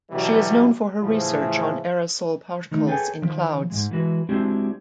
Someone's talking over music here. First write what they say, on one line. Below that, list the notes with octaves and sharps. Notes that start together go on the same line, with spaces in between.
She is known for her research on aerosol particles in clouds.
B2 D3 E3 F#3 G3
A2 C#3 E3 F3
D#3 A3 D#4
G#4 A4 B4 C#5 G5 G#5
D#3 F3
G#2 C#3 G#3
E3 G#3 F#4 B4
G#3 C4 D4 E4 F#4 G4